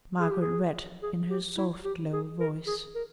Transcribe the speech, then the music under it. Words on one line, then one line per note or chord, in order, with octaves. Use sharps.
Margaret read in her soft low voice.
G#4
G4
G#4
G#4
G4
E4
G4
G#4
A#4
G#4
A#4